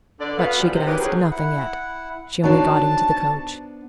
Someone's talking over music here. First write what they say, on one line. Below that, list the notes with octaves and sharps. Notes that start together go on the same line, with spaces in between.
But she could ask nothing yet; she only got into the coach.
D3 B3 D5
B3 F#4 F5
G2 A#2 E3 F3 G3
C3 D#3
D#3 E3 F#3 G4 B4
D3 F#3 B3 C#4 G#4 C5
E4 F#5
B3 D4 D#4 F#4 C5 C#5 A5